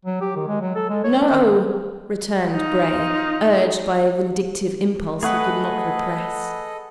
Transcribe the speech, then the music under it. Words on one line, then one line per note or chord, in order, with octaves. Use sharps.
'No!' returned Bray, urged by a vindictive impulse he could not repress.
F#3
G4
D#3
G#3
F#3
A4
G#3
C#5
C#4
D#3
D#4 F4
A3 G#4 A4 B4 D#5 F#5 C#6 D#6